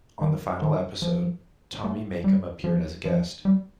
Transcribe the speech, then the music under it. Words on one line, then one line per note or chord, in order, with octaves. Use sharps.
On the final episode, Tommy Makem appeared as a guest.
D#3
D#3
F3
A3
G3
F3
F3
G3